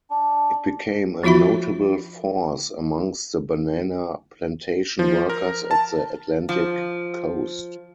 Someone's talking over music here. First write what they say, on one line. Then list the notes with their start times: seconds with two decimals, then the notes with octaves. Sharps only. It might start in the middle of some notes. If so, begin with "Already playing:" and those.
It became a notable force amongst the banana plantation workers at the Atlantic coast.
0.11 D4
1.24 F3 D#4 F4 F#4 E5 B5
4.99 F3
5.30 A#4
5.71 A5
6.49 F3